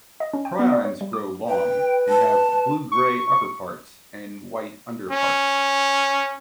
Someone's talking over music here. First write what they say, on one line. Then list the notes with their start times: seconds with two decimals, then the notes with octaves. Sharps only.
Prions grow long, and have blue-grey upper parts and white underparts.
0.20 D#5
0.33 C#4
0.45 G5
0.59 B3
0.72 D5
0.85 C#5
1.01 G3
1.13 D6
1.48 B4 G5
2.09 A5
2.92 C#6
5.11 C#4